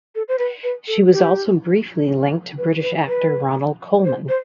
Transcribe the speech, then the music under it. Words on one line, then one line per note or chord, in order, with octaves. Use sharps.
She was also briefly linked to British actor Ronald Colman.
A4
C5
B4
B4
A4
F4
G4
B4
B4
B4
C5
C5